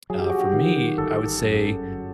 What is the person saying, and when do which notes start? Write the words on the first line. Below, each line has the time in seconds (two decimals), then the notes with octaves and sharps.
Uh, for me, I would say
0.10 F#3 G#4
0.19 G4
0.30 F#4
0.40 G4
0.53 D#3
0.98 G1 A4
1.42 F#2
1.86 F#3